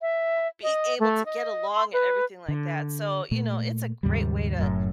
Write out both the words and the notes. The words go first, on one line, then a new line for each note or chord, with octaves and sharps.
being able to get along and everything like that so, you know, it's a great way to
E5
D#5
A3
D#5
C6
B4
D3
A#2 A3
D#2 G#2 C#3 G3
F#1 F#2 A2 F#3